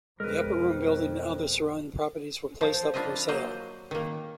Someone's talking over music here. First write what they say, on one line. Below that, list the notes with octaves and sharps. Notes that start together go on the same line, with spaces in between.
The Upper Room building and other surrounding properties were placed up for sale.
F2 B2 G#3 A#4 B4
F3 C5
D4 E4 F4 A#4 D#5
F#3 A#3 C5 D#5
D#3 A#3